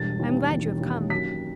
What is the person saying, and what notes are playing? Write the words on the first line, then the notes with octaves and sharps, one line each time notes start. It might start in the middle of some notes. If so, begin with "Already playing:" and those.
"I am glad you have come."
Already playing: E1 G2 A6
D#2
E1
D#2
F#2 B6